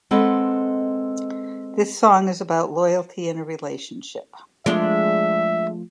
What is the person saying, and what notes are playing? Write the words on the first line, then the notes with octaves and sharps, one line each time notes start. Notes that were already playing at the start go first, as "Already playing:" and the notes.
The song is about loyalty in a relationship.
G#3 C4 A4 B4 D#5 F#5
F3 G#3 A3 D4 F4 E5